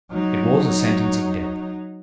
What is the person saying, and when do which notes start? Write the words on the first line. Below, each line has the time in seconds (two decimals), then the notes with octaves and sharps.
It was a sentence of death.
0.11 F#3 D#4